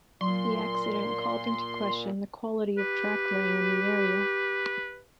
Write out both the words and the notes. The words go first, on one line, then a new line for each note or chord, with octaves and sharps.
The accident called into question the quality of track laying in the area.
A#2 F#3 C6
G4 B4